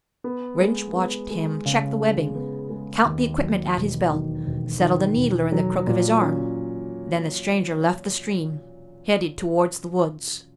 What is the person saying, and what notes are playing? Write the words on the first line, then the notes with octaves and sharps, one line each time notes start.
Rynch watched him check the webbing, count the equipment at his belt, settle the needler in the crook of his arm. Then the stranger left the stream, headed towards the woods.
B3
G#3
B3
G#3
C#3
G#3
B3
G#3
D#2
F#3
E1
D#3
E1
D#3
E1
F#3
A#2
C#4